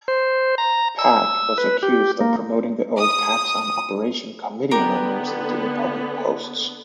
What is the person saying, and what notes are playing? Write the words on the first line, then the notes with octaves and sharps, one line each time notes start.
Pak was accused of promoting the old Kapsan Operation Committee members into important posts.
C5
A#5
E6
B4
G4
A#3
D#6
D3 B3 G4 A#4